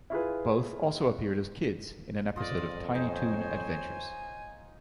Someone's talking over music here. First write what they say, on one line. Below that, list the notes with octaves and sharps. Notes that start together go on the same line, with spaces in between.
Both also appeared as kids in an episode of "Tiny Toon Adventures".
E4 F4 G#4 B4
F2 F4 D5 D#5 D#6
D#4 C5 C#5 G#5